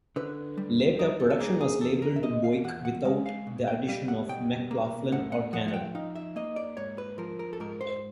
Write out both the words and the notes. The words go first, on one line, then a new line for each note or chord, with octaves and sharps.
Later production was labelled Buick without the addition of McLaughlin or Canada.
D3 B4
G3
D#4 A#4
A4
A4
A#3 G#4
G#4
E2 A4
A#4
E5
B2 D#5
F5
E2 F#5
F#5
G#3 F5
F5
B2
G5
G3 F5
F#5
B2 G5
A#3
A2 F#5
F#5
F3 F#5
F#5
G5
D#4 F5
E5
A#3 D#5
D5
G#2 C#5
B4
F3 A#4
A#4
A4
G#2 A#4
C5